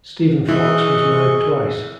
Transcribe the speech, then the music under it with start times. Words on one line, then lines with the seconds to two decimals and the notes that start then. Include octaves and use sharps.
Stephen Fox was married twice.
0.48 E3 G#4 D#5 C#6